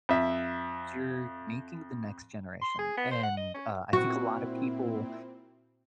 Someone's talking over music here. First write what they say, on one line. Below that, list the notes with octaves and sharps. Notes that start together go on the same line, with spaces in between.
you're making the next generation, and, uh, I think a lotta people,
F2 E5
C6
G#4
B3
C5
F#5
D#5
C#4
A#2 C4 E4 F#4